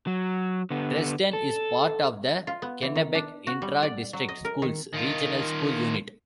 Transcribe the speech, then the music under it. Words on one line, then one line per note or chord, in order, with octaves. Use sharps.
Dresden is part of the Kennebec Intra-District Schools Regional School Unit.
F#3
D3 B3
A4
F4
B3
E3
D#3
D4
F#4
G3
D5
F#3
D#5
A#4
D#3
D#3 F4